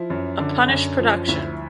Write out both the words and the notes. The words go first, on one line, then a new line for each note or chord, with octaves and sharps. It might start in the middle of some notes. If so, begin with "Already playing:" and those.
A Punish Production.
Already playing: F3 E4
F#2
D3
F#2
F3
D2 E4 E5